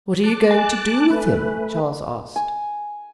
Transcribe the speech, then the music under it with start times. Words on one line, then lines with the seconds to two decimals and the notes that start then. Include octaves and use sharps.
"What are you going to do with him?" Charles asked.
0.24 A5 D6 F#6
0.51 G#5
1.10 A3 B4
2.36 G#5